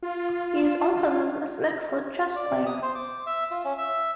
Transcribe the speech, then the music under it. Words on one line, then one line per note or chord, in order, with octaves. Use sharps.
He is also known as an excellent chess player.
F4
D5
D#6
C5
D6
E5
F4
C#4
E5